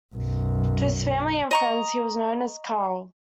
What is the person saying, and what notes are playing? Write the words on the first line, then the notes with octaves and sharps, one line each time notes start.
To his family and friends, he was known as "Carol".
B1 F#2
D#5 A#5 C#6